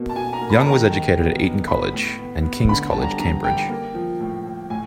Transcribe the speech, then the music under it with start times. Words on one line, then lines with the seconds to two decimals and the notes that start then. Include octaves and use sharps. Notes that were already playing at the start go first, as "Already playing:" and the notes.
Young was educated at Eton College and King's College, Cambridge.
Already playing: B2 A#3
0.09 A5
0.16 B2 G#5
0.33 A#5
0.41 A#3
0.50 B5
0.59 A5
0.66 D#3 A#5
0.92 D#3
1.18 B3
1.43 B3
1.68 B3 B5
1.93 A2
2.18 B3
2.43 B3
2.69 D3 B5
2.91 G3 A5
3.02 A#5
3.19 D3 A#5
3.44 G3 G5
3.69 A#3
3.94 F3
4.20 A2
4.45 A2
4.70 A2 G#5